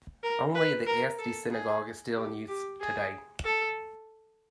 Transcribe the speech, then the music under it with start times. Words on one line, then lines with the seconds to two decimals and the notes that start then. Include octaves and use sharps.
Only the Asti synagogue is still in use today.
0.23 A#4
0.54 B4
0.86 A#4
1.19 A4
1.51 G#4
2.16 G4
2.48 G4
2.81 G#4
3.45 A4